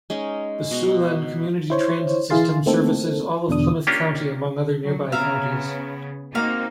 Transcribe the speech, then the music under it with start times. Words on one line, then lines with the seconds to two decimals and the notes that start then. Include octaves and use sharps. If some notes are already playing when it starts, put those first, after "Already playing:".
The Siouxland Community Transit System services all of Plymouth County among other nearby counties.
0.10 G#3 C#4 D#4 D#5
0.71 B2 A#5 C#6
1.70 E4 C5 C#5
2.30 E3 E4 G#4 F5 C6 A6
2.66 A3 A#3 C4 D#4 A4
3.49 E2 B2 D3 D4 D#6
3.87 A#3 C#4 D4 F4 G4
4.83 F#3
5.12 C#3 B3 E5 F5 A#5
6.35 A#3 C4 D#4 F#4 F5